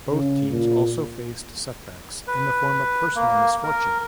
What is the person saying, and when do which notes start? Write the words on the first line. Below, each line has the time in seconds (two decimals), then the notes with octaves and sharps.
Both teams also faced set backs in the form of personal misfortune.
0.11 C#3
0.50 A#2
2.27 B4
3.16 A#3
3.64 A#4